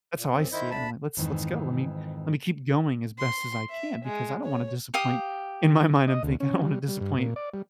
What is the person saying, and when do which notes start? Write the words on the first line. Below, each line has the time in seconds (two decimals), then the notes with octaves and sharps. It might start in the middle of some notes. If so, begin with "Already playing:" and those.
That's how I see it and I'm like, "Let's let's go. Let me let me keep going as best as I can because I don't wanna disappoint," in my mind, I'm thinking, "I don't wanna disappoint
0.16 A#2
0.29 F#2 C4
0.53 D#3 E4 C5 D#5 G6
0.71 D2 A3 D4 A5 B5
1.17 F2 G#2 D#3 E3
3.18 C6
3.70 E5
4.04 G#3
4.44 C#5
4.94 G4 F5 D#6
6.08 D#5
6.23 D2
6.40 C#4
6.62 G3
6.88 G3
7.01 G2
7.18 A#2
7.36 D5
7.54 G3